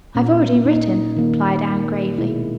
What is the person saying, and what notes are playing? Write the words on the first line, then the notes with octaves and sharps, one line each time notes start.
"I have already written," replied Anne gravely.
A#2 A#3 C#4
D#4
D#3 A#3
B2 G#3 E4